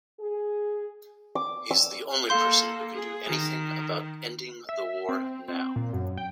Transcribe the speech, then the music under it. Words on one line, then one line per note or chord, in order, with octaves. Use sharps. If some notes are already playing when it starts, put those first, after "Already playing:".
He's the only person who can do anything about ending the war now.
G#4
D6
E6
A#3 A4 F5 C6 G6
G#4
D#3
E5
C4
C4
A#2
F#2
G5